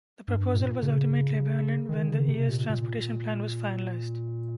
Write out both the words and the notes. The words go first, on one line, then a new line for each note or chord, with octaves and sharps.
The proposal was ultimately abandoned when the year's transportation plan was finalized.
G2
A#2
C#3
D#3
C#3
C3
A#2
A#2